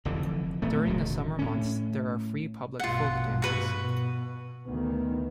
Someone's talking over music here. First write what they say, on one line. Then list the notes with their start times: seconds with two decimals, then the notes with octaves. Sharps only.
During the summer months there are free public folk dances.
0.05 F1 F2 D3 E3
0.62 A#2 A3 B3
0.86 D1 C#2 B2 D#3
1.39 A2 C#4
2.79 A#1 G2 B2 F4 F#5
3.42 F#4 B4
3.77 B2
4.67 D2 D#3 B3